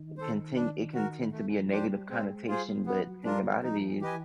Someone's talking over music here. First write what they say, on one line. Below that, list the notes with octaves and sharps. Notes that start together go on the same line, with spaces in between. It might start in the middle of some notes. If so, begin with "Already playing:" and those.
contin it can tend to be a negative connotation, but the thing about it is
Already playing: D#3
A4 C5
D4
F#4 A#4
A3
F3
D4 G4 C5
G#3
G3
G#3 C4
G3 F4 G#4 C5
F#3 B3
F3
F#3
D4 F4 A#4
F3 D#4
E3 G4 B4 D#5 G#5